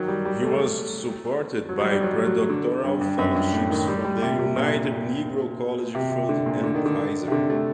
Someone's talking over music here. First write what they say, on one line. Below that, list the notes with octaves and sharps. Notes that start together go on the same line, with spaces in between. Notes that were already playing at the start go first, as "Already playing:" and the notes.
He was supported by predoctoral fellowships from the United Negro College Fund and Pfizer.
Already playing: D#3 F#3
G3
G3
A3
F#3
G3
G3
F#3
F#3
D3
G2
G2
F#2
G2
A2
D#3
G3
G3
C3
C3
A#2
C3
C3
D3
A#2
D3
D#3
D3
C3
D3
A3